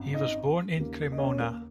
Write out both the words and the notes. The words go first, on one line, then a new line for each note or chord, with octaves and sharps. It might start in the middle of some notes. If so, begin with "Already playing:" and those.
He was born in Cremona.
Already playing: G#1 F#2
D#4 D#5
D#2 C#3 A#3
D#5
C#4 C#5
A#3 A#4